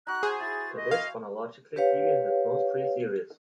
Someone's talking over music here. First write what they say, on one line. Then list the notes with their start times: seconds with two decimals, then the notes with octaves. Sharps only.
That is, phonologically Tiwi has at most three series.
0.07 D#4 F#4 F#6
0.23 G#4 C5 G#5
0.40 E4 A6
0.77 D#5
0.91 F5
1.76 G4 B4 C#5 F5